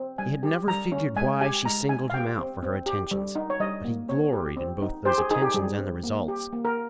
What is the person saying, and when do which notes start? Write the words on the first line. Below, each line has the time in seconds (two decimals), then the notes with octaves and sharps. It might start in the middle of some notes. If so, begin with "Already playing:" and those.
He had never figured why she singled him out for her attentions, but he gloried in both those attentions and the results.
Already playing: C4
0.18 G3 G#5
0.43 G4
0.68 G3 A#5
0.92 C#4
1.16 G#3 G#5
1.41 G4 G#5
1.65 G#3 A#5
1.89 D#4 G#5
2.10 F5
2.14 G4 G5
2.38 C4
2.63 C4
2.86 G4
3.11 G3
3.35 D#4
3.50 C#5
3.60 G3 D#5
3.84 A#3
4.09 C4 C#5
4.33 G4
4.57 C4
4.82 D#4
5.05 G4 C5
5.18 G#4
5.30 D#4 G#4
5.42 G4
5.54 G3 G#4
5.79 C4
6.04 A#3
6.28 G4
6.52 A#3
6.65 A#4